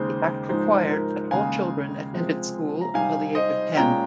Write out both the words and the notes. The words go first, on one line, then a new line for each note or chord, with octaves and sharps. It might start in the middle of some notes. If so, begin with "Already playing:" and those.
The Act required that all children attended school until the age of ten.
Already playing: D#2 C#3 G#3 D#4 C5
G#2 F3 G#3 D#4 C5
A#4
D#2 C#3 G#3 C#4 F5 G#5
C3 F3 G#3 C4
A#5
C3 G3 C4 D#4 F5 G#5
C5 D#5
A#2 G#3 C#4 F4 G5 A#5